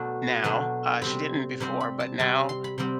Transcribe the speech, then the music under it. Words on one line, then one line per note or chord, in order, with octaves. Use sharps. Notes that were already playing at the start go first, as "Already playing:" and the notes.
now- uh, she didn't before- but now,
Already playing: B2 F#3 A3 D4
B2 F#3 A3 D4
C3 G3 C4 B5
C3 G3 C4 C6
B5
A5
C3 G3 C4 A5
C6
B5
C3 G3 C4 G5